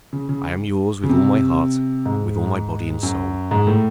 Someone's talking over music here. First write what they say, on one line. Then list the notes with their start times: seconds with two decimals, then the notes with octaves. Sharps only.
I am yours with all my heart, with all my body and soul.
0.13 C#3
0.29 C#3
1.03 C#3
1.10 C3
2.06 G#2
3.03 F#2
3.51 G#2
3.67 A2